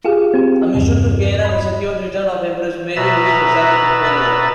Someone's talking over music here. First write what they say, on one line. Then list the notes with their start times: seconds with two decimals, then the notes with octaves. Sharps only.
A mission to Vienna to secure the return of Empress Marie-Louise resulted in failure.
0.05 F4 G4 G#4 F5
0.34 C4 G4
0.75 E2 G2 C3
1.45 D#5 B5
2.96 B2 B4 E5 A#5 B5 A6